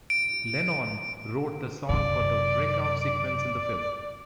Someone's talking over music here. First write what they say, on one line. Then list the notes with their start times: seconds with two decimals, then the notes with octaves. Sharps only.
Lennon wrote the song for the "break-out" sequence in the film.
0.10 D7
1.89 F#2 C3 D5